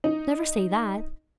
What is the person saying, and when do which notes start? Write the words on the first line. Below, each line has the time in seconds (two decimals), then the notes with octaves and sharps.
Never say that!
0.04 D#4